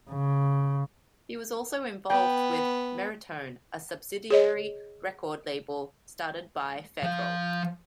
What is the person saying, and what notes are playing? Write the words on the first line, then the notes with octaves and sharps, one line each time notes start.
He was also involved with Merritone, a subsidiary record label started by Federal.
C#3
B3 G5
G#4 C#5 D#5
F3 F5